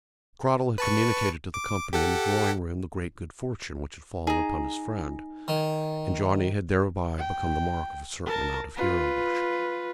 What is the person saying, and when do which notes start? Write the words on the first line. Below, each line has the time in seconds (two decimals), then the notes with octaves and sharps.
Cradell had communicated to the company in the drawing-room the great good fortune which had fallen upon his friend, and Johnny had thereby become the mark of a certain amount of hero-worship.
0.78 B4 A5 C#6
1.54 D6
1.93 G4 A4 F#5
4.27 D#4 G#4 A#5
5.48 D#3
7.18 G5
8.26 A#4 A5
8.76 F4 B4